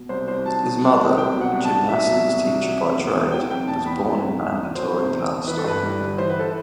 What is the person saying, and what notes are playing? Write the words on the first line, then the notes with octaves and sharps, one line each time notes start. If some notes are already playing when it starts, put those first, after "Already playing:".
His mother, a gymnastics teacher by trade, was born in Mandatory Palestine.
Already playing: B2
C2 C5
C2 C5
F#3 A5
B2
C2
C2
F#3 G5
B2
F#5
C2
A5
C2
F#3 E5
B2
C2
C2
F#3
C3
E2
E2
F#3 G5
C3 G5
E2 A5
E2 B5
F#3
C3
E2
E2
F#3 C5
C3
E2
E2
E3 B4
A4
G2 B4
G3
G1
E3 C5
B4
A4